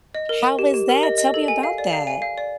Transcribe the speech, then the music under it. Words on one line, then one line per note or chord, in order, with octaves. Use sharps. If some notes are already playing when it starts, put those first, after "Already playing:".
How was that, tell me about that.
D#5
A#4
A#4
G4
G4
A#4
D#5
D#5
A4
G#5
F5
D5
F5
G#5
F5
D5